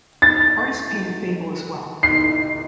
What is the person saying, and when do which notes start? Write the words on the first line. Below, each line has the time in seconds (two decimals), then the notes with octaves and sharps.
Artists paint in fable as well.
0.22 A6
2.03 C7